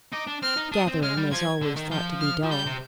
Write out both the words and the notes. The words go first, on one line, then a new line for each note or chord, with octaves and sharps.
"Gatherum is always thought to be dull."
D#4 D6
D4
C4 F6
D#4
D4 D#6
C4
G#3 F6
G3
F3 G#6
D3
D#3
F3 G6
F6
F3
G3 G6
C3